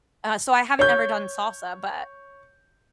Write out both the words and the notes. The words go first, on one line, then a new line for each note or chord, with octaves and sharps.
So, I haven't ever done salsa, but
C#5 G6